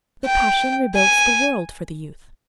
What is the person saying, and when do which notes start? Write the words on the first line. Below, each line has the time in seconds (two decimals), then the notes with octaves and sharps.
The passion rebuilds the world for the youth.
0.25 G5
0.94 G#5